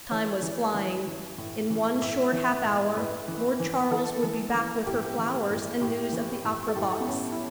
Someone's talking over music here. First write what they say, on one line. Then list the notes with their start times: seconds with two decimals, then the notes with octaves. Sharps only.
Time was flying. In one short half-hour Lord Charles would be back with her flowers and news of the opera-box.
0.11 E3 C#5
0.43 E3
0.74 E3
1.07 E3
1.38 A2
1.70 E3
2.02 A2 E5
2.33 E3
2.65 A2
2.96 A2 B4
3.28 E3
3.60 E3
3.91 E3 A4
4.23 E3
4.54 E3
4.86 A2 G4
5.18 E3
5.50 A2
5.81 A2 G4
6.13 E3
6.44 A2
6.68 A4
6.76 A2 G4
7.00 B3
7.08 A2 C#4
7.32 E4